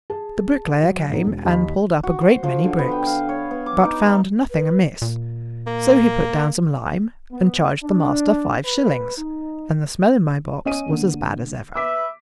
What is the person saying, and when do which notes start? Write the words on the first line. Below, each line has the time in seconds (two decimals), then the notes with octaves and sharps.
The bricklayer came and pulled up a great many bricks, but found nothing amiss; so he put down some lime and charged the master five shillings, and the smell in my box was as bad as ever.
0.10 G#4 A5
0.83 F#3
1.09 A2 B3 D#4
1.26 E1
1.45 D#2 D#5 B5 B6
2.03 F#4
2.21 C5
2.44 F3
2.64 D3
2.79 B3
2.91 G5
3.07 F5
3.29 C#5
3.51 B3
3.66 D6
3.84 D#4
4.06 D#4
4.50 B4
5.02 A#2
5.67 A#3
7.31 B3
7.82 D4
8.64 B4
9.16 D#4
10.65 C#4 D#5 D#7
10.89 D3 A#3
11.75 B4 E5 D6 B6